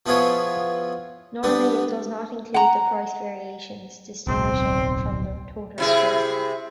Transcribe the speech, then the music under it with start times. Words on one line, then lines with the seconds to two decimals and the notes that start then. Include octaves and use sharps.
Normally, it does not include the price variations, distinguishing it from the total return.
0.06 F3 B3 E4 F4 G#4 C#5
1.43 D3 G3 B3
2.54 F#5 A#5
4.27 D1 B1 C4 C6
5.78 C3 E4 G#4